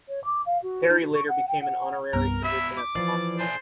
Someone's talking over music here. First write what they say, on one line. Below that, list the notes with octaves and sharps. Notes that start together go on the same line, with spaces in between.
Perry later became an honorary physician at the hospital.
C#5
D6
F5
F#4
D#4
F#4
C#6
F#5
G5
F#5
C2 G2 B3 A#4
B2 E4 E5 B6
D6
E3 F3 E4 D5 A6 C7
D4 G#4 C5